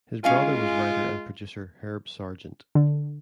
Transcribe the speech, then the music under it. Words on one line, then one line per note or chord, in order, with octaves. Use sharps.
His brother was writer and producer Herb Sargent.
G#3 C#4 F4 F5 G#5
D3